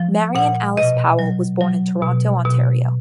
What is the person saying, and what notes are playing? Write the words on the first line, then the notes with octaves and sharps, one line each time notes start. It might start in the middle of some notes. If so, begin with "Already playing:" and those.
Marion Alice Powell was born in Toronto, Ontario.
Already playing: F3
A#2 F#5
B2 D#5
F#3
F#3
B2
B2